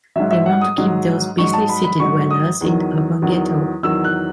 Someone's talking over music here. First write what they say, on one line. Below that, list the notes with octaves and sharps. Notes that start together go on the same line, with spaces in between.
They want to keep those beastly city-dwellers in the urban ghetto.
G#2 F#3 E5
E5
F#5
D#6
G#2 F#3
G#2 F#3 C#6
A5
B5
B5
G#2 F#3 C#6
D#6
E2 D#3 F#3
E2 D#3 F#3
E2 D#3 F#3 E6
F#6